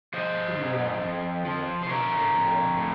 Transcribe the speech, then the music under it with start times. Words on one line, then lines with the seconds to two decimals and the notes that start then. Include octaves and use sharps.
Kitty laughed; and that was what he wanted.
0.14 F3 C5 D#5
0.57 F#2
1.01 F2
1.45 F3
1.83 C5
1.89 C#3 A#4 C#5
2.33 F2
2.77 A2